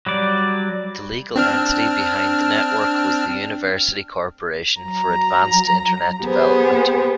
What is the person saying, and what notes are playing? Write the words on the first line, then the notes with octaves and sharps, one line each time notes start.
The legal entity behind the network was the University Corporation for Advanced Internet Development.
F#3 G3 D5
C4 D4 F6
F#3 A#5
B3 G4 G#4 C5